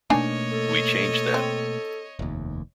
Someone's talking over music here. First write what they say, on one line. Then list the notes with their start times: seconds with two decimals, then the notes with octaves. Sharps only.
We changed that.
0.10 B2 A3 A#3 D4 D#4 C#5 D#5 G#5
0.50 A4
1.34 C4
2.19 F1 D#2